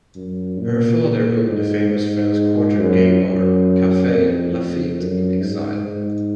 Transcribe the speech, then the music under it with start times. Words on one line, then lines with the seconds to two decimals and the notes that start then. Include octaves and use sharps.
Her father owned the famous French quarter gay bar, Cafe Lafitte in Exile.
0.15 F#2
0.60 A#2
1.03 A#2
1.47 G#2
1.91 G#2
2.78 F#2
3.22 F#2
4.10 F2
4.54 F2
4.98 F#2
5.41 G#2
5.85 G#2